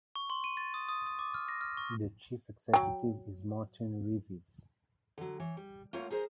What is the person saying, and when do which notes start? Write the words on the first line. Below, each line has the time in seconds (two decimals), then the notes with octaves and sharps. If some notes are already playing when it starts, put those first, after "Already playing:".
The Chief Executive is Martin Reeves.
0.16 C#6
0.30 C6
0.44 D#7
0.57 A6
0.74 D#6
0.89 D#6
1.06 D#6
1.19 D6
1.34 F6
1.48 A#6
1.61 F6
1.77 C#6
2.73 F#3 G5
5.18 D3 F#3
5.40 E3 C#5
5.57 G3
5.93 A3 A#3 F4 A#4 C#5 F#5
6.10 D#4 G#4 A#4 C5